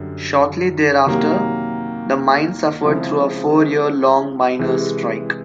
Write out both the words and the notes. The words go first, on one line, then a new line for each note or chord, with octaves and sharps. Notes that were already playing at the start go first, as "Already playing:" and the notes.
Shortly thereafter, the mine suffered through a four-year-long miners' strike.
Already playing: F#2 D3 G3
C3 D#3 F#3 A#3
C#3 F3 G#3 C4 E4
C3 E3 G#3